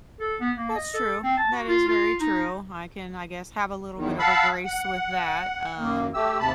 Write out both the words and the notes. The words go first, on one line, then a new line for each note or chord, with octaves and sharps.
That's true. That is very true, I can, I guess, have a little bit of a grace with that, um,
A4
B3
A#3
D#5
A4
C4
A5
F#4
F4
F4
D#4
E2 D#3
F5 F#5 A5 B5 E6 F#6
F#5
F#2 A#3
A3 G4 E6
D#2 C3 A5 B5